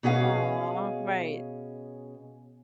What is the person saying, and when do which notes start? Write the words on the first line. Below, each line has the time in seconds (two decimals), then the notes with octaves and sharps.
Aw! Right.
0.03 B2 C#4 G#4 B4 F5